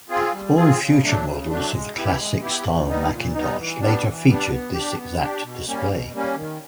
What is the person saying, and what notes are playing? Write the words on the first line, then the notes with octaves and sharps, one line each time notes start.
All future models of the Classic style Macintosh later featured this exact display.
C4 F4 G#4
G3
C4 F4 G#4
C#3
F#3 A3 D4
C#3
F#3 A3 D4
G#3
B3 E4 G4
G#3
B3 E4 G4
A#2
G3 B3 D#4
A#2
G3 B3 D#4
E3
G3 B3 D4
E3
G3 B3 D4
B3
D4 G4
B3
D4 G4
B2
G3 A#3 C#4
B2
G3 A#3 C#4
D#3